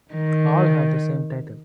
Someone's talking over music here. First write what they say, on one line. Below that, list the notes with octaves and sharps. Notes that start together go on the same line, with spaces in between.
All have the same title.
D#3